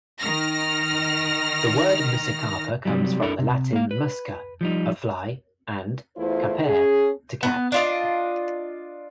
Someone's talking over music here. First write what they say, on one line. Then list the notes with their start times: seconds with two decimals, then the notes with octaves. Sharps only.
The word "Muscicapa" comes from the Latin "musca", a fly and "capere", to catch.
0.20 D#3 F6 A#6
2.85 C3 F#3 G3
3.22 D4 E4 A4 A#4
3.39 C3
3.73 A#3 F5
3.91 B4
4.61 F3 G3 D#4
6.16 E2 A3 E4 F4 C5
6.65 C#4 G#4
7.43 B3
7.72 D4 F4 D#5